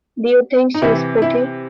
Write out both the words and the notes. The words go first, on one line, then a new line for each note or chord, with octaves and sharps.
Do you think she is pretty?
D#4
C3 E3 E4
E4